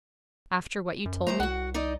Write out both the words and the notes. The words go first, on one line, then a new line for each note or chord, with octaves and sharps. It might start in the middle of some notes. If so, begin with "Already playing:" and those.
After what you told me?
F#2
D#2 A3 C5 A#5
C2 F#4 F#5
D#4 D5 D#5